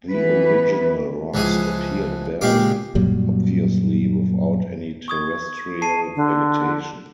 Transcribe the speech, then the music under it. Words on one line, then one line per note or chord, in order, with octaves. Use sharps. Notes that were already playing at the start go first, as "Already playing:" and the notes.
The original rocks appeared barren, obviously without any terrestrial vegetation.
E3 B3 B4
C#2 E3 F3 G#4 G#5
A#2 G#3 G4 F5 D6
F#2 A#2 F#3 G3
C#6 D#6 G#6
A5 C7 D#7
D3